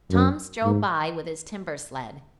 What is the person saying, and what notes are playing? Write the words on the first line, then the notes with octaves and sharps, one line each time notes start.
Tom strode by with his timber sled.
F#2
G#2